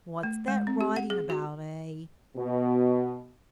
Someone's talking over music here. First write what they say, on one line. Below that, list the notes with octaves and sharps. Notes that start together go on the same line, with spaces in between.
'What's that writing about, eh?'
A3
G#3
C4
G4
F#5
G#4
F#4
B2